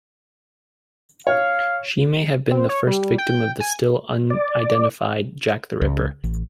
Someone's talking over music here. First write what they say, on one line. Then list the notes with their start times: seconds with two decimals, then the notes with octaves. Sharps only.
She may have been the first victim of the still-unidentified Jack the Ripper.
1.27 C#5 F5
2.51 C4
2.69 C#5
2.87 G3
3.18 G5
3.60 G#5
4.30 D5
5.82 C#2
6.24 A1